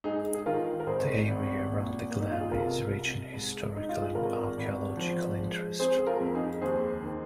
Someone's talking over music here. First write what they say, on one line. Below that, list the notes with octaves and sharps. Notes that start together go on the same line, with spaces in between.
The area around the Glen is rich in historical and archaeological interest.
G#2 D#4 G#4
G#4
D#3 F4 A#4
A#4
G#1 G#4 C5
G#1
A#2
A#3
D#4
F4
G#4
C2 F4 A#4
C2
G#2
G#3 D#4
F4
G#4
G#1 F4 A#4
G#1
F3
G#3
C4 G#4 C5
G#4
F4 A#4
F2
D#4 G#4
D#2 G#4 C5
D#3